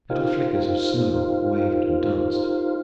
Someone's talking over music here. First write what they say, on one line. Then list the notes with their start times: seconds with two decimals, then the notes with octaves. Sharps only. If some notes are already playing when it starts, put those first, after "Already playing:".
Little flickers of snow wavered and danced.
0.10 D#4 F4 G4 A#4 C5 F5